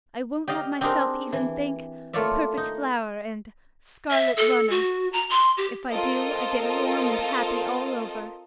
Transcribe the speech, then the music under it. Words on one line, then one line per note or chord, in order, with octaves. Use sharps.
I won't let myself even think "perfect flower" and "scarlet runner." If I do, I get warm and happy all over.
G4 D5 D#5 F5
C4 D4 D#4 G4 G#4 A#4
E3
A3 A#3 F4 C#5 D5 E5
D#4
E5
A4
F#4
A#5
C6
G4
C4 F4 A4 A#4 D#5